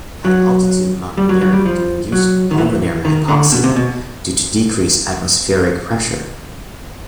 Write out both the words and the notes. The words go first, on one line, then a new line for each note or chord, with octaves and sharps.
High-altitude mountaineering can induce pulmonary hypoxia due to decreased atmospheric pressure.
F#3
G3
F#3
F#3
G3
F3
F#3
D#3
E3
D#3
D3
B2
C3
B2